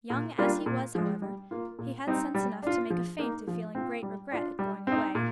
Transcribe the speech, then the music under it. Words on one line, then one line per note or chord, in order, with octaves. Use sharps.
Young as he was, however, he had sense enough to make a feint of feeling great regret at going away.
A#2
G3 A#3 D4 F4
A#2
F3 G#3
G3
A#3 F4
A#2
G3 C4 D#4
G3
D4 F4
F3
A#3 D#4
F3
C4 F4
G3
D4 F4
G3
C4 D#4
A#2